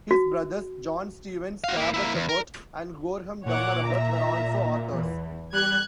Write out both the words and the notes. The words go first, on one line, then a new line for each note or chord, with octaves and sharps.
His brothers, John Stevens Cabot Abbott and Gorham Dummer Abbott, were also authors.
F#4
F#4 F5
A#3 E4
A#3 E4
E2
A#4
A#2 C#5 F#5 D6
E5 A#5
E2 E3
G3 F#6 G#6